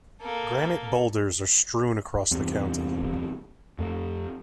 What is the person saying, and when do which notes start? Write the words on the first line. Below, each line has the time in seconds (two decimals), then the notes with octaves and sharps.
Granite boulders are strewn across the county.
0.21 A#3 A4
2.31 E2 G2 C3
3.78 F2 A3